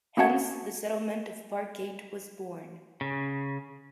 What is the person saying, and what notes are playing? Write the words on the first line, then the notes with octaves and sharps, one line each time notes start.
Hence the settlement of Parkgate was born.
A#3 C#4 F#4 F#5 A5 G#6
C#3